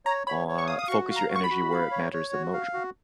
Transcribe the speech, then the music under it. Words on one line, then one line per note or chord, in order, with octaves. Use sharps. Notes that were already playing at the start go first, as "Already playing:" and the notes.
on focus your energy where it matters the moch
C#5 A#5
C#5 B5
C#5
C#6
F5 D#6
D#6
F#4 C#6
F5
A#5
F#4
C#6
B5
F#4
F5
C#5
C#5
F#4
F5
F#4